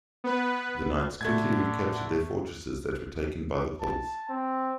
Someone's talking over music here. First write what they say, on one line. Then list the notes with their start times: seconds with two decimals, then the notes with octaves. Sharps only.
The Knights quickly recaptured their fortresses that were taken by the Poles.
0.24 B3 B4
1.21 A2 D3 A3 G#6
3.81 A5
4.29 C4